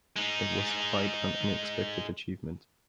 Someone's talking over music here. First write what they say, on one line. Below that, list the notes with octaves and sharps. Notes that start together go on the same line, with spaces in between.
It was quite an unexpected achievement.
G#3 D#4